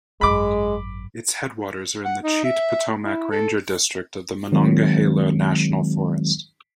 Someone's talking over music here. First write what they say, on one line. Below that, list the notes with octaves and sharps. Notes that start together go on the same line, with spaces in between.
Its headwaters are in the Cheat-Potomac Ranger District of the Monongahela National Forest.
G#1 F#2 G#3 B5 D6
F#5
D#4
E5
E4
A4
D#3 F#3 G#3 C4